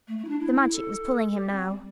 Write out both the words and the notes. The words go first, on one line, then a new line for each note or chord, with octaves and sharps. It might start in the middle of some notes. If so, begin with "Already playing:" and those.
The Magic was pulling him now.
A3
A3
E4
D4
E4
E4
A4
G4
C4
G3